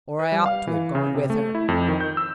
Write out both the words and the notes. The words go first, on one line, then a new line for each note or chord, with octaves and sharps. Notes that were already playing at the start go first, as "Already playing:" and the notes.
Or I ought to have gone with her.
B4
G3
F5
E3
C#3
C3
A3
E4
F2
D#3
G6
E6